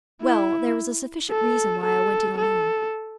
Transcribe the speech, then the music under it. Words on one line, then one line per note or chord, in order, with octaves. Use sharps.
"Well, there was a sufficient reason why I went in alone."
E4
A4
A4
A4